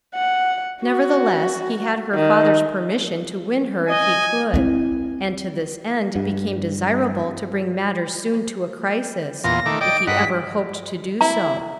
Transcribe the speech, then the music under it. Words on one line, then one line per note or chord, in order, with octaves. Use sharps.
Nevertheless, he had her father's permission to win her if he could; and to this end it became desirable to bring matters soon to a crisis, if he ever hoped to do so.
F#5
F#4
D#3
D#5 G#5
C4 E4
G2
E2 A#2 F4 A#6
D#3 A3 D6
D5 D#5 G5 D7
G2 D#5 F#5 B6
E4 A#5